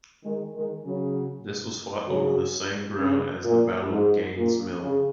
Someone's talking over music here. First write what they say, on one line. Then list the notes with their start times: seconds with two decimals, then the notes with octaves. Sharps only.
This was fought over the same ground as the Battle of Gaines' Mill.
0.24 D#3 G#3
0.55 D#3 G#3
0.85 C#3 F#3
2.07 C#3 F#3
2.99 C#3
3.44 A#2
3.90 G#2
4.36 A#2
4.82 C#3